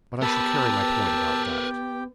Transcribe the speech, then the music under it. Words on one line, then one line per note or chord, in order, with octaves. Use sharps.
But I shall carry my point about that.
B3 G4 A#4 B4 G5 A5 E6